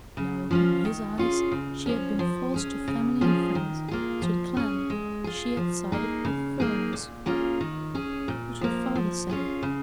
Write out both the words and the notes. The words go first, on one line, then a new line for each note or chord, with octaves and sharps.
No, in his eyes she had been false to family and friends--to the clan--she had sided with "furriners." What would her father say?
C#3
F3 C#4 F4
D#3
C#4 F4 G#4
C#3
F3 C#4
F3
C#4 G#4
C#3
F3 C#4 F4 G#4
D#3
A#3 F4 G#4
F3
C#4 G#4
G#3
F4 G#4
F3
A#3 D#4 G#4
C#3
A#3 D#4 G#4
A#2
A#3 C#4 F4 G#4
D#3
C#4 G#4
A#2
F3 A#3
F3
C#4 F4 G#4
C#3